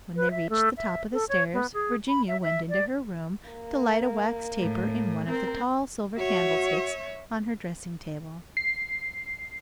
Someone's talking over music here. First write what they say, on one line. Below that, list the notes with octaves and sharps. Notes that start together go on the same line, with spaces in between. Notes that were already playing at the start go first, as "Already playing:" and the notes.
When they reached the top of the stairs, Virginia went into her room to light a wax taper in one of the tall silver candlesticks on her dressing-table.
B4
E5
A3
E5
A4
C#5
B3
G#4
B5
E5
E5
D5
A#3
A2
C4 A#4
F#4 C#5 E5
C7